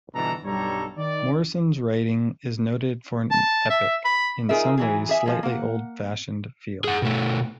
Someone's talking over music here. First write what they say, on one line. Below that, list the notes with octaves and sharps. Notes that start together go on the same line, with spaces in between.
Morrison's writing is noted for an epic, in some ways slightly old-fashioned feel.
G1 B2 E3 D4 A4 A#5
B1 G2 G3 A4 C#5 A#5
D#3 D5
A5
E5
B5
D#4 F4 G#4 A#4 E5
E3 F#3 G#4
G#4 E5 G#5
F3 G#3
A#3 F#5
G#4 F#5
B2 A3